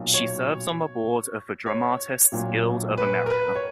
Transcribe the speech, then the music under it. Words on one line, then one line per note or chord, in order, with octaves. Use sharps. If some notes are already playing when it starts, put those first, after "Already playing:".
She serves on the board of the Dramatists Guild of America.
Already playing: B1 A#2 F#3
C#5
C#5
A#1 A#2 F#3
B4
A#4
B4
C#5